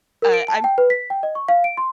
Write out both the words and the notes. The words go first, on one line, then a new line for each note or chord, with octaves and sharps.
uh, I'm
A#4
D7
A5
G5
B4
B6
G5
D#5
C#6
F5
D7
C6